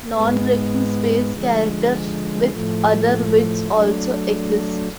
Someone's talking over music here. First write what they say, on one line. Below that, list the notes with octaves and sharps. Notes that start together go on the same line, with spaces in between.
Non-breaking space characters with other widths also exist.
G#2 G#3 B3
D3 F3 G#3
A2 F3 A3
F#3 A3 D4